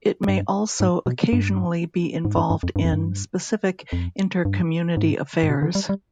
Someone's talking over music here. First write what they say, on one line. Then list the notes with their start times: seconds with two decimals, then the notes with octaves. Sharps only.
It may also occasionally be involved in specific inter-community affairs.
0.28 G2
0.80 G#2
1.06 B2
1.33 G2
2.25 G#2
2.37 G2
2.50 G2
2.63 F2
2.76 G2
2.84 F2
2.93 G2
3.93 F2
4.45 G2
4.97 G#2
5.43 G#2
5.50 B2
5.62 D3
5.75 G3
5.89 G3